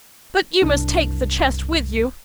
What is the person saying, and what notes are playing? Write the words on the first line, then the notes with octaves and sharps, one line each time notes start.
'But you must take the chest with you.
F#1 C2 D4